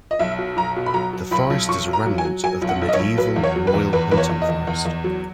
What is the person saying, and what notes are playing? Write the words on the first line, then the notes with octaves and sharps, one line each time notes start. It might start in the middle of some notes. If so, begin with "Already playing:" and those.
The forest is a remnant of the medieval royal hunting forest.
D#5
B1 E5
B2
B1 A#5
B2
B5
F#3 A#5
F#3
B1 B5
B1
B1 C#6
F#3
A#5
F#3
G#5
F#3
F#3 G#5
B1
F#5
B1
D#5
C#5
B1
F#3 B4
E2
C#5
F#3
B4
E2
E2 B4
E2 B4
C#5
E2
D#5
E2
E2
E2
F#3